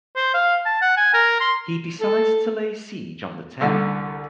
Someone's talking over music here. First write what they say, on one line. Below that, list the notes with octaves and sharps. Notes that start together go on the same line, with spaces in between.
He decides to lay siege on the town.
C5
F5
A5
F#5
G#5
A#4
C6
A4
C2 D3